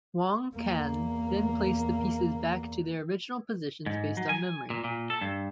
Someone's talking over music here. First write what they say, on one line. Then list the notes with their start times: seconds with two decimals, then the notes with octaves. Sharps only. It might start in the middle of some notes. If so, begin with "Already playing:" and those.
Wang Can then placed the pieces back to their original positions based on memory.
0.55 E2 A#3
3.86 G#2
4.17 F#3
4.29 G#5
4.70 A#2
4.84 A#2
5.10 A4
5.21 G2